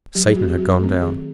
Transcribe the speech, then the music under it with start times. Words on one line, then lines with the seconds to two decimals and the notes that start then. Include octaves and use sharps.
Satan had gone down.
0.15 F#3 G4
0.26 G#4
0.36 A3 C4 F#4
0.47 G4
0.57 F#3 F#4
0.79 A3 C4 A4
1.01 D#3 G#4